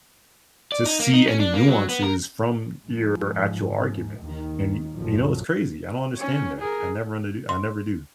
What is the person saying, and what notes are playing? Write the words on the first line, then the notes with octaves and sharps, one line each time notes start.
to see any nuances from your actual argument. And, yo you know, it's crazy, I don't understand that. I never under d I never do,
D5
D#4
A#3
D#4
C#4
D4
A#3
F#3
B3
A#4
G#2 F3
D#2 D#3
A#1 F#2 D3 F3 F#3
C#4 C#5
G#4 A#4
C6